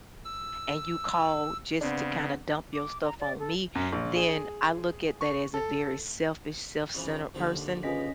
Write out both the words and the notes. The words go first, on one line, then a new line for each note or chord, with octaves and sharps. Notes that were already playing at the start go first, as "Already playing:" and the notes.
and you call just to kinda dump your stuff on me, then I look at that as a very selfish, self-centered person,
E6
C#3 B3 C4 D4
D6
A#5
D5
A4
F#2
A#1
G#4
C#6
A4
C#3 E3 F3
D#2 D3 F3
C#4 F4 G#4 B4 D#5 B6